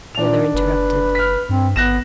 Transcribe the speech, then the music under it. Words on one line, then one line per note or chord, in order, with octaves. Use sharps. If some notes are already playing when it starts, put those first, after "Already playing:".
The other interrupted.
A#2 D4 F7
F#1 B4
F6 B6
G2 C4
G#1 B3 F#6 A#6 E7